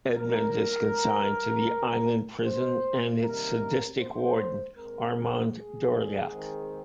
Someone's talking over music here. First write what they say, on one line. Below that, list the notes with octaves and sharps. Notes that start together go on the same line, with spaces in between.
Edmond is consigned to the island prison and its sadistic warden, Armand Dorleac.
A#2 F3 A#3 A#4
C#3 G3 A#3
C5
C3 D#3 G3 A#3 A#4
C5
A#2 G#3 C4 A#4
G#4
D#3 G#3 C4